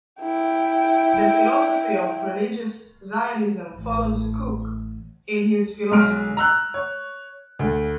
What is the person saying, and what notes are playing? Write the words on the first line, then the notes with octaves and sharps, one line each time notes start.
The philosophy of Religious Zionism follows Kook in his philosophy.
E4 G5
A1
B1 G#3 F6 D7
A#5 E6 F#6
C#5
D2